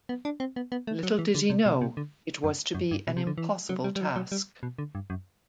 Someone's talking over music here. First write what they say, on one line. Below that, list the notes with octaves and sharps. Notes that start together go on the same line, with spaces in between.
Little did he know it was to be an impossible task.
B3
D4
C4
B3
B3
A3
F#3
E3
D3
C3
B2
C3
D3
F#2
F#2
G2
B2
C3
D3
E3
F#3
G3
G3
F#3
F#3
G3
B2
D3
G2
F#2